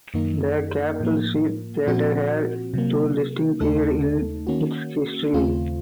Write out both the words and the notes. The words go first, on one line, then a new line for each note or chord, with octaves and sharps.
The Capel Street Theatre had two distinct periods in its history.
F#2 D#3 A#3 D#4
A2 F3 A#3
A#2 F3 C4 F#4
C3 F#3 A#3
D#2 C#3 A3 D#4 A4
D#3 A#3 C#4 F#4
D#2 C#3 A3 C4 F4